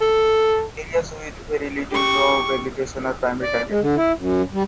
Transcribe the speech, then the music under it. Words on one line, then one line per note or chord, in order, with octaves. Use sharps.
Areas with very little to no vegetation are the primary target.
A4
G4 C#6
D5
G#3
D3
E4
F#2
G3